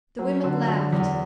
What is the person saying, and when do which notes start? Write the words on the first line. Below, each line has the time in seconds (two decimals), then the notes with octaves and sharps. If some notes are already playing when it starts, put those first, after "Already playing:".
The women laughed.
0.19 F#3
0.44 D3
0.68 D3
0.93 E2